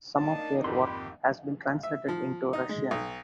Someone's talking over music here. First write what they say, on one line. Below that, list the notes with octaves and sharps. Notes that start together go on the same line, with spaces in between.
Some of her work has been translated into Russian.
A#3 D4 D#4 A5
G#1 F2 G4 B5 C6
E5
F3
D#4
G#3
B1